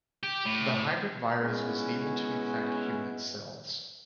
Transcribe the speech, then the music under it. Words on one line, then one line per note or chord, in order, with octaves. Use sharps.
The hybrid virus was able to infect human cells.
G4
A2
G#3 B3 C#4 E4 F#4